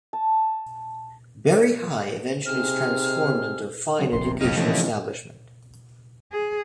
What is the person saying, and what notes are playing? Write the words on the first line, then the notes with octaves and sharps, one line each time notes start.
Barry High eventually is transformed into a fine educational establishment.
A5
C3 D#4 G#4 F6
F#3 C4
D1 A#1 C3 C6
F#1 B1 F#2 C3 D#4 G4 F6
C3 E3 F3 A3 C#4
G#4